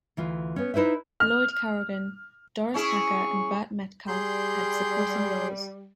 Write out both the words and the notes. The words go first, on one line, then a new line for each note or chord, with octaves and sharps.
Lloyd Corrigan, Doris Packer, and Burt Metcalfe had supporting roles.
D2 E3 F4
B3 C#4
D#4 E4 B4 C5 E5
F6
C#4 E4 G#4 C#6
G3 G#4 C6 G6